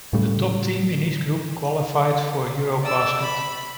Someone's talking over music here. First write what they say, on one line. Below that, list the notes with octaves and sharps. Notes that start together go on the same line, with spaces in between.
The top team in each group qualified for EuroBasket.
A2 C#3 G3 A3
D5 E6
B5